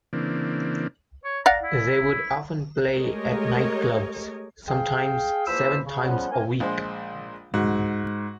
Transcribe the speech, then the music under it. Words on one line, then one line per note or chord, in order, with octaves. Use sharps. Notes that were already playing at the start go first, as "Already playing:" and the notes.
They would often play at night clubs, sometimes seven times a week.
C#3 E3 A#3 C4 D4
C#5
D5 F5 F#5 A#5
E4
G#3 A3 G4 A#4 C#5 D#5
G#4 F5 G5
E2 F3 A#3 C5 B5 E6
C#3
C#3 F3 G3 B3 C#4 F#5
A#3 C4 D4 A#4 G#5
A#1 G#3 C5
G#2 F#4